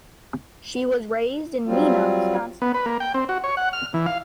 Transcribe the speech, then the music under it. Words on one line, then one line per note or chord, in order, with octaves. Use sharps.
She was raised in Neenah, Wisconsin.
F#3 G3 C4 F4
B3
B4
A#3
G5
C4
F#4
C#5
F#5
F6
E3
F5